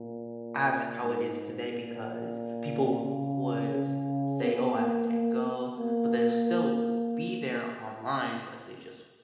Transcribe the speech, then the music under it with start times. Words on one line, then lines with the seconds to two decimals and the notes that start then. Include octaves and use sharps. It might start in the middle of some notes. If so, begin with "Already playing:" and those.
as how it is today because people would s say, "Oh, I I can't go," but they'll still be there online, but they just
Already playing: A#2
1.01 G#2
1.69 A#2
3.04 C#3
3.74 C#3
4.42 B3
4.75 A#3
5.09 A#3
5.43 B3
5.77 A#3